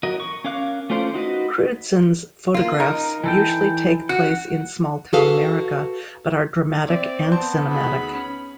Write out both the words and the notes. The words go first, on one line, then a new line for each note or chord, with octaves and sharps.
Crewdson's photographs usually take place in small-town America, but are dramatic and cinematic.
F#3 F#4 A#4 D#5
C#6
C#4 A#4 F5 D6 F#6
A3 C#4 F4 C5 D5
D#4 F#4 B4 D#5
A#3 F4
D#4 A#4
E3 A4 G5
F#4 F#5
F#4 G#4 A4 B4 F5
C4 D5 E5
B3 A5 C6 G6
D2 D#4 G#4 B5
C#4